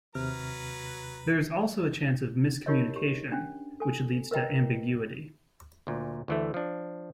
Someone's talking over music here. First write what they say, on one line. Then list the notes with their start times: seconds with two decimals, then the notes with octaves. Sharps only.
There is also a chance of miscommunication which leads to ambiguity.
0.15 D#2 C3 F#3 B4 A#5 F6
2.66 D#4 F4 G4 A#4 C#5 D#5
2.96 G4
3.32 C#4 D4
3.80 A4 G#5
4.31 A#4 B4 D#5 G5 A#5
5.87 D2 A#2
6.28 D2 E3 A3
6.54 F3 D4